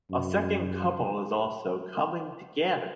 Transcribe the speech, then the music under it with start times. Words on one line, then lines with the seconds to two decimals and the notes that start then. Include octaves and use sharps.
A second couple is also coming together.
0.11 F#2